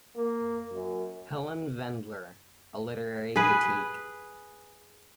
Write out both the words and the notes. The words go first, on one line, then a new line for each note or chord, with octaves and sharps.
Helen Vendler, a literary critic.
A#3
F#2
G#4 B4